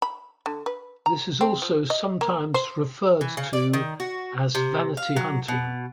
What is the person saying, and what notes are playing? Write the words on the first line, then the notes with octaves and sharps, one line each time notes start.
This is also sometimes referred to as vanity hunting.
B5
D3
B4
A#5
C4
F3
D#5
A#3
C5
E3
C#3
D5
D#3
F#4
C3
F5
F#3
B2